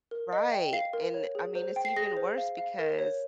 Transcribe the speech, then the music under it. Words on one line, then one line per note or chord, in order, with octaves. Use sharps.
Right, and, I mean, it's even worse because
A#4
D#5
G5
F5 C7
A#4
C#5
G#4
C5
G5
C7
G#4 A#6
C5
F5
F5
A#4
C#5